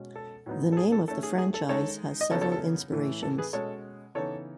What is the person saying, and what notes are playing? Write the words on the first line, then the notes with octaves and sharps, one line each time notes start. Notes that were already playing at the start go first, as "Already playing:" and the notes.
The name of the franchise has several inspirations.
Already playing: B2 G#3 C#4
A4
A2 F#3 B3 D#4
A4
G#4
A4
D#3 A3 C#4 A4
G#4
G#4
A4
D#3 G#3 D#4 A4 C#5
D#5
C#3 F#3 B3 D#4 A4 C#5
A4 C#5
A4
A2 E3 A3
A4
G#4 B4
B2 G#3 C#4 A4 C#5
C#3 E3 B3 D#4 A4 C#5